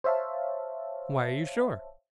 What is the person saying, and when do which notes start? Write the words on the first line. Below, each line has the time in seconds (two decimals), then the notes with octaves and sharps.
"Why are you sure?"
0.04 C5 C#5 E5 F5 A5